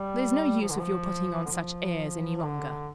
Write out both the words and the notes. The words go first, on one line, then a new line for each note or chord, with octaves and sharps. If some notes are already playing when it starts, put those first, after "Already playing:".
There's no use of your putting on such airs any longer.
Already playing: G3
F3
D3
F3
D3
F3
F3
D3